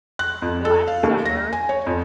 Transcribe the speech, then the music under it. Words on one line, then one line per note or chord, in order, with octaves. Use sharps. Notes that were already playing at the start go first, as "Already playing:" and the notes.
last summer
F#6
F2
A4
F5
D#2
A#6
G#5
C#5
F2